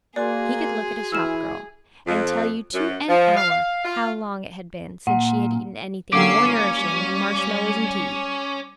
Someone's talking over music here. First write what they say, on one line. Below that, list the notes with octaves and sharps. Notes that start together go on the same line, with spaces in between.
He could look at a shop-girl and tell you to an hour how long it had been since she had eaten anything more nourishing than marshmallows and tea.
A#3 F#4 G#4 D5 G#5 C6
E3 E4 E6 F6 E7
F2
F#2
F3
F5
F5
F4
A#2 F#5
D3 F#3 A#3 C#4 G4 D6 E6 C7
G3 A#3 F4